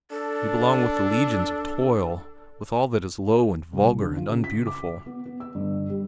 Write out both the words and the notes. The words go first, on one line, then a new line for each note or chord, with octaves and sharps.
You belong with the legions of toil, with all that is low, and vulgar, and unbeautiful.
D4 A4
C2
D3
F4
C#3
B6
D6
B3
B3
E6
G1
G3